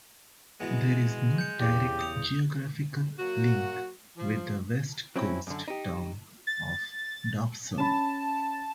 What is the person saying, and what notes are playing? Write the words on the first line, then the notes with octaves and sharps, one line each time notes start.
There is no direct geographical link with the West Coast town of Dobson.
B2 E3 G#3 B3
G6 C#7
E2 C#3 G4
D#6 C#7 F7
F#3 A#3 F#4
F3
F#3 C4 C#4 E4
F#2 D3
D#4 G4
A6
C#4 A5 B5